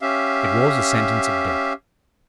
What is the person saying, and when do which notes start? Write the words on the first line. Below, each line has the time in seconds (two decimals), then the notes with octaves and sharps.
It was a sentence of death.
0.01 C#4 G4 E5 F5